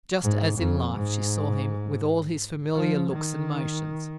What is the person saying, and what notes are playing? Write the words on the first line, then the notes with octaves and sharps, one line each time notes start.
Just as in life, she saw him, with all his familiar looks and motions.
G#2
F2
G#2
F3
D#3